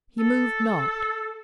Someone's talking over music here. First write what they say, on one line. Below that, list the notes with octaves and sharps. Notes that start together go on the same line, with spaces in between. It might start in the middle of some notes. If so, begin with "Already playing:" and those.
He moved not.
A4